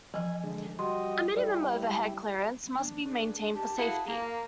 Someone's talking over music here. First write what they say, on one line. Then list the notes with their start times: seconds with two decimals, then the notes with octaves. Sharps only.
A minimum overhead clearance must be maintained for safety.
0.14 E3 F3 G#5
0.43 D3 G#3
0.79 G3 F#4 D#5 C6
1.36 G3 E4 D5
2.78 D4
3.04 G#4
3.54 G4 A5
3.78 E4 F#4 G#4 F5
4.06 A#3 F5 A#5